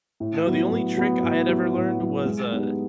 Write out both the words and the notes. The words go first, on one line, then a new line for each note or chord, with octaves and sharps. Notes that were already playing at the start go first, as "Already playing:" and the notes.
No, the only trick I had ever learned was, uh,
A2
F#3 B3
A2
F#3 B3
A2
F#3 B3
A2
F#3 B3
G#3
B3 D#4 G4